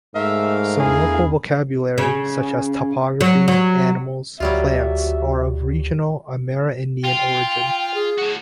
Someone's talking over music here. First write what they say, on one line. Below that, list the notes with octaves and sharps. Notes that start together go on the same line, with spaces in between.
Some local vocabulary, such as topography, animals, plants are of regional Amerindian origin.
G#2 A3 A#4 E5 F5
E2 D4 E4 G#4
C#3
F#3
F#3
D2 F#3 G3 F4 F#4 E5
F4 G5
G#4
A2 F#4